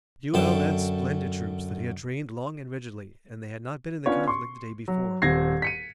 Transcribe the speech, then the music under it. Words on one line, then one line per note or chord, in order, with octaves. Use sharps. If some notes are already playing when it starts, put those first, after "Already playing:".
Buell led splendid troops that he had trained long and rigidly, and they had not been in the conflict the day before.
F#2 D3 G5 A5
B3 C#4 D4 F4 C#5
C6 C#6
F#3
D#1 C4 G#6 A#6 C7
B6 C#7 D#7